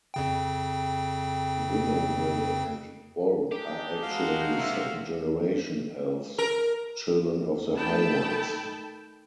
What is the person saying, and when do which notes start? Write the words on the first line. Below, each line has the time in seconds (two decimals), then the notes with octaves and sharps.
Winnowill and Voll are actually "second generation" elves, children of the High Ones.
0.14 F2 C#3 G5
3.52 D4 D#4 G4 G#4
4.03 G#3 F#4 F5
4.58 C3 E5
6.38 A#4
7.77 D#3 A3 A4 G5 A5 B5